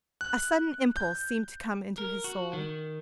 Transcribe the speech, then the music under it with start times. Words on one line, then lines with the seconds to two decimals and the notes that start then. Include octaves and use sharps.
A sudden impulse seemed to come into his soul.
0.21 F#6
0.97 G6
1.98 A#4
2.24 F#4
2.53 D#3